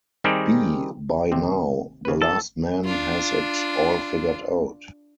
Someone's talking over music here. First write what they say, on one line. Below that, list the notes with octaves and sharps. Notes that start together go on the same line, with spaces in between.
B By now the last man has it all figured out.
D#3 G3 C4 G4 G#4 A#4
D#2 C3 C4
C#3 B4
F3 A4
D4 F4